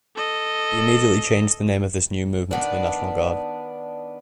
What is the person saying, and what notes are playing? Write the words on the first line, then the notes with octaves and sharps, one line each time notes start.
He immediately changed the name of this new movement to the National Guard.
A4 D#5
D#3 B3 D4